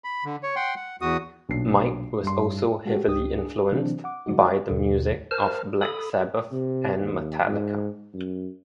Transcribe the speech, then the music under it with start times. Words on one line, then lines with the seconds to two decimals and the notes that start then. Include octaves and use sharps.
Mike was also heavily influenced by the music of Black Sabbath and Metallica.
0.04 B5
0.25 D3
0.43 C#5
0.56 F#5 G5 C6
0.76 F#5
1.01 E2 F#4 D#6
1.49 B1 A#2 D4 C7
2.23 G2 C6
2.86 G#3 F#4 G4 A4
3.08 C#2 D4 G4 D#6
3.38 D4 G#4
3.71 C3 E3 F#3 C4 D4
4.04 F#5 D6
4.26 D3 F3 F#3 G#3 D#4 F#4
4.70 D#2 B2 D3
5.31 A#4 C5 A5 F6
5.82 A4 B5 D#6
6.52 C3
7.01 D#2
7.47 G#2
8.14 F#2